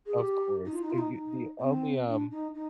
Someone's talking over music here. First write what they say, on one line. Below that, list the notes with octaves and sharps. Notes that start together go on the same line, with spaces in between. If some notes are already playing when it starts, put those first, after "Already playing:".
Of course, and you the only, um,
G#4
G4
D#4
F4
D#4
F4
D#4
D#4
C4
D4
D#4
D#4